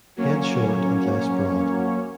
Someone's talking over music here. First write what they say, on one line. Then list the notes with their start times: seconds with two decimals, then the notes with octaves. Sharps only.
Head short and less broad.
0.17 F#3 A#3 C#4 C#5